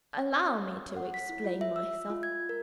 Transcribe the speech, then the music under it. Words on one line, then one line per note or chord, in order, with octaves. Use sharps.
"Allow me to explain myself."
F#5
B6
E4
F4
E5
E6
F4
G#6
A#4